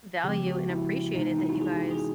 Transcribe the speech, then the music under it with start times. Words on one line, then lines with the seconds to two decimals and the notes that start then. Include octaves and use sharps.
value and appreciated that you guys,
0.24 C#3 F3 G#3 B3 G4
0.46 F#4
0.70 E4
1.15 C3 E3 G#3 B3 D#4
1.27 D#4
1.38 E4
1.49 F#4
1.61 G#4
1.76 G4
1.91 G#4